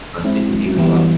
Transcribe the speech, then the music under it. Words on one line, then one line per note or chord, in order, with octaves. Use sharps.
uh, stick with you as well?
G#3 C4 E4
E3 G3 B3 E4 G4